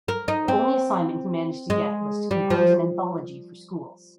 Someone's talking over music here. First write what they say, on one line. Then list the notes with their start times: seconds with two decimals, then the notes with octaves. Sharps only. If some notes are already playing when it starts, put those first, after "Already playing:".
The only assignment he managed to get was to compose an anthology for schools.
0.08 A#4
0.28 D#4
0.48 C4
1.70 G#3
2.31 G3
2.50 F3